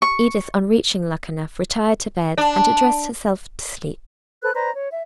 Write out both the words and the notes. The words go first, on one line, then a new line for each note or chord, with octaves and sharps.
Edith on reaching Luckenough retired to bed, and addressed herself to sleep.
C#6
D4
A4 B4 C5 F#6
B4 C5 D5 A#5
C#5
E5